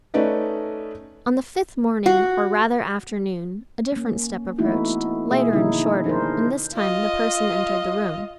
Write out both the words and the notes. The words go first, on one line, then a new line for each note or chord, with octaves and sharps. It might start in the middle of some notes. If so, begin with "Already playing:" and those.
On the fifth morning, or rather afternoon, a different step approached--lighter and shorter; and, this time, the person entered the room.
A3 C#4 D#4 B4 D5 D#5
F#4
A#3 C#4
E3 A3 B3 D#4 E4 F#4
B2 A#3 G#4 E5
D3 D#3 F3 C#4 D#4 E4
D4 D#4 G#4 A#4 C5
F4 D#5